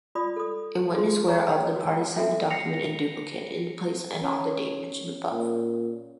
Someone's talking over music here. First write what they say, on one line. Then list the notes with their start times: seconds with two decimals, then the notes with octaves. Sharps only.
In witness whereof, the parties sign the document in duplicate, in the place and on the date mentioned above.
0.15 F4 D5 B5 D#6
0.36 A4 D#6
0.94 F4 G#4 C6
1.28 C#5 A#5 C#6
1.76 F#4 E6
2.17 F#4 A4 E5
2.50 A#6 C7 C#7 F7
4.22 C#4 C#5
5.32 A#2